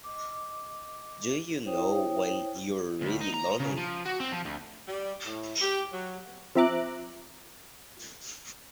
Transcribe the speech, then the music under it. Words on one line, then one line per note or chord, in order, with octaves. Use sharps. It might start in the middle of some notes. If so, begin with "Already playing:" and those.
Do you know when you're really lonely?
D#5 D6
E4 C5 C#5 G5 D#6
D2
D#4
A#5
C#3
F3
F#4
C4
F3
D2
G3
A2
G4
F#3
F3 C4 E5 A#5 D6 F#6